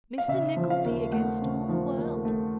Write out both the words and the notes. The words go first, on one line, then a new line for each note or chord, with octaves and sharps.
Mr Nickleby against all the world.
F5
C#3 E5
F3
F5
D#2
A3 F#5
C#3
F3
D#2
A3